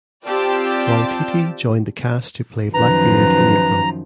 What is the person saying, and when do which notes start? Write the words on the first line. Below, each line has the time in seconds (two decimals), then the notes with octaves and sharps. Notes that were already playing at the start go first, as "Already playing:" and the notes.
Waititi joined the cast to play Blackbeard in April.
0.25 C4 F4 G4 D5 G5 A5
2.74 F#2 D#3 F3 B4 A#5